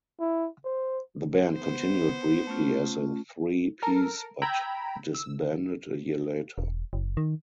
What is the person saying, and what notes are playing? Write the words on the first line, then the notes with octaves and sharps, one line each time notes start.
The band continued briefly as a three piece but disbanded a year later.
E4
C5
B3 C5
A3 C#4 F4
A4 A#4 F6
G5 A#5 B5 E6 G#6
E6
E1
F#1
D#3